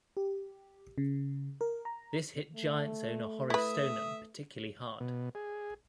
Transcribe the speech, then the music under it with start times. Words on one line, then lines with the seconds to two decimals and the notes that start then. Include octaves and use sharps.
This hit Giants owner Horace Stoneham particularly hard.
0.17 G4
0.98 C#3
1.61 A#4
1.85 A#5
2.54 A3
3.50 E4 B4 E5 D#6
5.00 B2
5.35 G#4